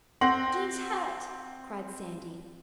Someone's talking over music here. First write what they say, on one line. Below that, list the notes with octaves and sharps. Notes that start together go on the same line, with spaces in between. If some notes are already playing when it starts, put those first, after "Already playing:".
"Jean's hurt," cried Sandy.
C4 F#5 C6 A#6 F#7